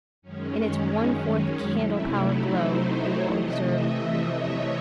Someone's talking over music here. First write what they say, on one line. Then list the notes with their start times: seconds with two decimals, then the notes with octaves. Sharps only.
In its one-fourth-candlepower glow we will observe the room.
0.22 F#2 D#3 G#3 C#4
1.69 C3 F#3 A3 E4
2.08 D#4
2.44 C5
2.81 C#5
3.18 C3 E3 A3 D#5
3.56 E5
4.29 C#5